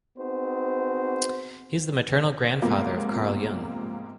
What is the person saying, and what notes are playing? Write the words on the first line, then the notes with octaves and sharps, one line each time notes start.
He is the maternal grandfather of Carl Jung.
B3 C4 D#4 F#4 G#4 C5
G#2 C3 F3 A#3 B3